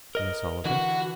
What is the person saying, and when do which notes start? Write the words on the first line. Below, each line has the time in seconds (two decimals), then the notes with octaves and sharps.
"Yes, Oliver?"
0.15 A#4 D#5
0.65 D3 E3 F#4 F#5